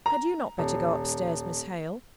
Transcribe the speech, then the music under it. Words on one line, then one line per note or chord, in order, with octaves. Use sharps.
'Had you not better go upstairs, Miss Hale?'
A#5
D#1